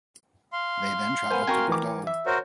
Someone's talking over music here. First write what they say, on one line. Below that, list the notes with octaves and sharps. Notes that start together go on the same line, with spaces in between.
They then travelled to Bordeaux.
F5 C6
B3 A#4 C5 G#5
C4 F#4 A#4 G5 G#5 C#6
E3 D6
E5
F#4 A#4 C5 C#5